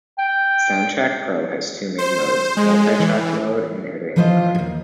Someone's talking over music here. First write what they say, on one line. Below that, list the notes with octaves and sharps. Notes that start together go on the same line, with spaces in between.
Soundtrack Pro has two main modes: multitrack mode and editing mode.
G5
C5
G#3
E3
E3 F3 F4 C5 D#5
D#2 G#2